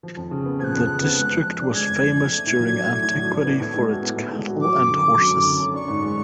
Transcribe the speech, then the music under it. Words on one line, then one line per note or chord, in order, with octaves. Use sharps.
The district was famous during antiquity for its cattle and horses.
F3
F2
C#3
B3
F3 F#6 G#6
F2
C#3
B3
G#3
F2
F3
D4
G#3 G#6
F2
F3
D4
A3
A2
F#3
D4
A3
A2
F#3
D4
B3
A2
G#3
F#4
B3
A2
G#3
F#4
F#3 D6
F#2
D3
F#2
F#3
F#2
D3
F#2
D4 C#6
G#2
G#3